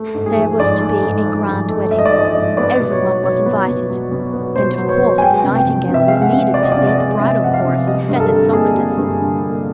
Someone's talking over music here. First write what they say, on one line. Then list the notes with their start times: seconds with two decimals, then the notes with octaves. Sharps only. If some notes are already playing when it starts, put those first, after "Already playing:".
There was to be a grand wedding; every one was invited, and of course the Nightingale was needed to lead the bridal chorus of feathered songsters.
Already playing: A3
0.14 G#2
0.26 G#4
0.37 F3
0.60 G#2 D5
0.81 A3
1.03 G#2
1.25 F3
1.47 G#2
1.69 A3
1.91 G#2 E5
1.99 D#5
2.05 D5
2.12 F3 D#5
2.25 D#5
2.36 G#2
2.57 B3 D5
2.79 B2
2.91 C#5
3.02 F#3
3.23 B2 C#5
3.46 B3
3.68 B2
3.90 F#3
4.11 B2
4.34 B3
4.56 B2 C5
4.78 F#3
4.89 C#5
5.00 B2
5.18 G#5
5.22 G#3 G5
5.44 C3
5.55 G5
5.66 F3
5.89 C3
5.94 E5
6.08 G#3 F5
6.22 F#5
6.33 C3
6.54 F3 D5
6.63 D#5
6.72 D5
6.77 C3
6.87 D5
6.98 G#3
7.20 C3 E5
7.43 F3 F#5
7.54 F5
7.65 C3
7.87 G3 D#5
8.09 G2
8.16 A#4
8.20 A4
8.31 D3
8.53 A#3 G#4
8.74 G3
8.97 G2
9.19 D3
9.41 A#3